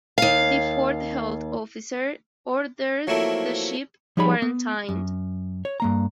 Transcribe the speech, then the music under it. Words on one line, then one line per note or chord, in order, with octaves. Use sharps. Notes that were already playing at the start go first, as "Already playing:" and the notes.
The port health officer ordered the ship quarantined.
D#2 F5
F3 F#3 A3 A#3 C4 E4
F3 G3 D#4 G#4 C#5 B5
B3
F#2
C#5
G2 A#3 A#5